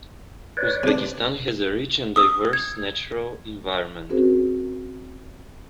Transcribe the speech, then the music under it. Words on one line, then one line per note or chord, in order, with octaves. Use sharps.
Uzbekistan has a rich and diverse natural environment.
B4 C#5 D5
C3 D4
D#6 E6
G#6
C4 C#4 F#4 G#4 A#4 C5